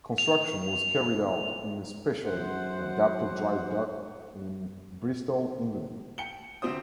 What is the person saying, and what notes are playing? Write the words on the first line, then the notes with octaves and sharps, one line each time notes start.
Construction was carried out in a specially adapted dry dock in Bristol, England.
F7
F#2 C5 F#5
G5 C#7 G7
D2 C3 C4 G4 C5 D#6